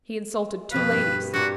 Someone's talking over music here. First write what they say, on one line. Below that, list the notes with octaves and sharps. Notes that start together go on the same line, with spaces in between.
He insulted two ladies.
F2 B2 B4 F5
G2
G2 A#2 F#4